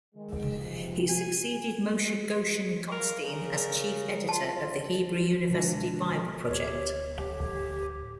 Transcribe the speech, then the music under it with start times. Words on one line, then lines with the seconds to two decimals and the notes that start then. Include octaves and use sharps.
He succeeded Moshe Goshen-Gottstein as chief editor of the Hebrew University Bible Project.
0.15 D#3 G#3
0.59 C3 F3
1.08 G#5
2.92 A#4 F5
3.25 C#3 A#4 A#5
4.29 F4 A5
5.51 B2 D3 G#3 D4
6.49 D1 G4 C#5
7.17 G4